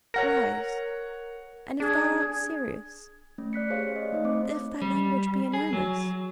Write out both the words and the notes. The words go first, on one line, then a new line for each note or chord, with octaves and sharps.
'Rise! and if thou art serious, if thy language be in earnest...'
A#4 C#5 F#5 A#6
D4 G#4
A3 C#4
D5 F#6 B6 C#7
G4 G#4 C5 C#5 F5
D#5
A3 D#4 D#5
A3 C4 C5 D6
G3
G#4
F#3